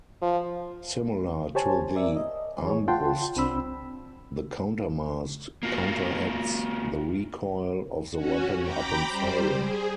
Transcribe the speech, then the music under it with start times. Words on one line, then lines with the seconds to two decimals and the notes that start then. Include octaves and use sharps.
Similar to the Armbrust, the countermass counteracts the recoil of the weapon upon firing.
0.22 F3
1.55 G4 C5 C#5 G#5 A5
1.95 A#4 D5 E5
2.17 D#5
2.63 E3 G#4 C#5
2.88 F4 F#5 G5 A5 C6
3.36 C2 C4 D4 B5 E6
5.63 A#3 F4 F#4
8.11 C#4 F#4
8.60 G5 A#5 B5 D6
9.05 G3 C5
9.56 G#4